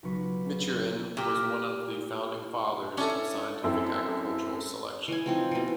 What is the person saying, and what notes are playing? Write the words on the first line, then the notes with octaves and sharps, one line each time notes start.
Michurin was one of the founding fathers of scientific agricultural selection.
B1 C#3 F#3 F4 B4 C#6
A#2 G4
C#4 D4 E4 A4
F#2 C4 E4 A4
E3 G#5
F3 C4 D#4
B2 E3